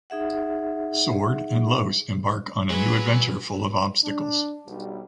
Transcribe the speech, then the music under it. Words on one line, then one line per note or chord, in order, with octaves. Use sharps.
Sword and los embark on a new adventure full of obstacles.
D#4 G#4 E5 F#5
F#3 G#3 B4 G#5
D4
B1 G3